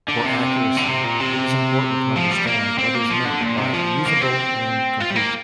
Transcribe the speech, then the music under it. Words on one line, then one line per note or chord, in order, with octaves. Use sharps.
For accuracy, it is important to understand what is meant by usable and complete.
D3
C3
D3
C3
A#2
C3
F3
G3
A#3
C4
A#3
F3
D3
A#2
C3
F3
A#3
C4
F4
G3
A#3